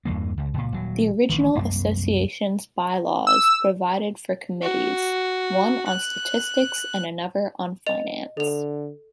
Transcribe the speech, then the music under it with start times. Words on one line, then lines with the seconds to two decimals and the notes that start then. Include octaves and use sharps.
The original association's By-laws provided for committees: one on statistics and another on finance.
0.05 E2 G2 E3 A#3
0.38 C#2
0.54 C#2 A#2
0.72 D#1 F#3
1.30 A1 D#3
1.55 C2 F#2 A#3
3.27 E6
4.62 F#4
5.87 F#6
7.87 D#5 F7
8.37 D3 A4 F7